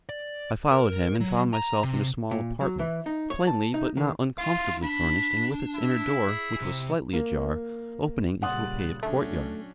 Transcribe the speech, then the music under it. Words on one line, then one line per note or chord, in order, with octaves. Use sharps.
I followed him, and found myself in a small apartment, plainly but not uncomfortably furnished and with its inner door, which was slightly ajar, opening into a paved courtyard.
D5
A#4
F#3
A#5
C3
A#2
F#3
E3
D#4
C#5
A5
D#4
D#3
E4 F4 F5
D4 B5
E4
G#4
C3
A#3
A#2 C#3 G3 F#5 C6 D#6 F#6 A6
F#3 A3 C#4 D4